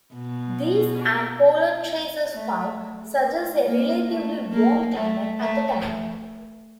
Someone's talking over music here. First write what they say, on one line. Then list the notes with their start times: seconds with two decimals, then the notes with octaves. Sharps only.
This, and pollen traces found, suggests a relatively warm climate at the time.
0.13 B2
2.33 A3
3.64 A#3
4.08 A3
4.52 A#3
4.95 A3
5.39 A3